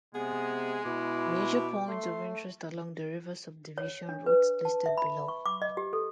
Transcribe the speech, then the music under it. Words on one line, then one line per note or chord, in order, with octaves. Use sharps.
Major points of interest along the River Subdivision route listed below.
C3 G#3 B3 G#4
B2 E4 D6
A3 C6
C#5
D4
B4
A5
E5
B5
C#6
D6
D#5
G4
A4